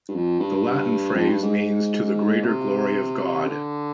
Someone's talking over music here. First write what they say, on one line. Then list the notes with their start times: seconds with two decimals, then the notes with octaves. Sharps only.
The Latin phrase means 'To the greater glory of God'.
0.09 G2
0.15 F2
0.40 G2
1.15 F2
1.29 G2
1.42 G#2
2.44 C3
3.46 D3